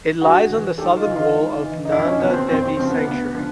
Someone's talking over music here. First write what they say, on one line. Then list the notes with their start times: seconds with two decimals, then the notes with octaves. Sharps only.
It lies on southern wall of Nanda devi sanctuary.
0.21 G2 F#4 G#4
0.50 E3
0.78 G#2 G4 A4
0.97 D#4 F4
1.06 E3
1.15 D#4 F4
1.35 G#2
1.64 E3
1.85 D#4
1.91 F2 D4 E4
2.05 C#4 D#4
2.20 C#3 F3 B3 C#4
2.33 C4
2.48 F2 C4
2.62 C4
2.77 C#3 F3 C4
2.90 B3
3.05 D2 B3
3.33 D3 F3